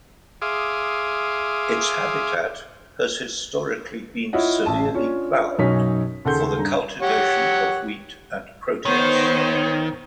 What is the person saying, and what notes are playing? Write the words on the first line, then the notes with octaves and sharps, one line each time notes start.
Its habitat has historically been severely ploughed for the cultivation of wheat and proteas.
G#4 E5 F5 C6 D6 D#6
E4 F4 C#5 D#5 F#5
A1 A5
C#4 D4 F4 C#5
B1 F#2 C#4 D#4 C#5 B6
D#2 C#3 A4 F#5 C6 G6
G2 A#5
G4 C#5 F#5
D#3 B3 C5 C#5